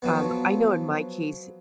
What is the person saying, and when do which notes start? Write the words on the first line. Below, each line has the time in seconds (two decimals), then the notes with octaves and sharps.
Um, I know in my case,
0.02 F3 F#3 B3